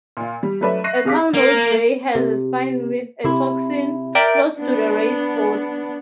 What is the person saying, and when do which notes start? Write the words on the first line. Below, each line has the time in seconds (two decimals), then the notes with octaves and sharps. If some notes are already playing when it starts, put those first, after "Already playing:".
A cownose ray has a spine with a toxin, close to the ray's body.
0.17 A#2 F4
0.43 G3
0.61 F#3 A3 C#4 B4 D5 E5
0.84 E5 C#6 F#6 A#6 C7 D#7
1.05 C3 G#4 F5 D6 B6
1.34 A#3
2.15 C3
3.24 C3 E4
4.15 A#4 D5 E5 G5 D7
4.58 B3 D4